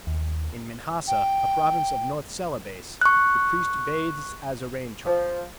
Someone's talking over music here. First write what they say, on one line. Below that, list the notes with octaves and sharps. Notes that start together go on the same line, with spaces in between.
In Minahassa, a province of North Celebes, the priest bathes as a rain-charm.
D#2
G5
C#6 F#6
F3